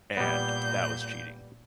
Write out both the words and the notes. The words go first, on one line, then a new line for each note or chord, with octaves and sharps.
and that was cheating.
A#2 G3 B3 G6